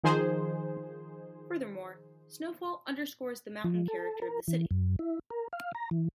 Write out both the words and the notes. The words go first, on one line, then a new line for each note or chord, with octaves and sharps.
Furthermore, snowfall underscores the mountain character of the city.
D#3 F3 D#4 G#4 C5
F3
A4
A#4
E3
F#2
E4
A#4
F5
A#5
E3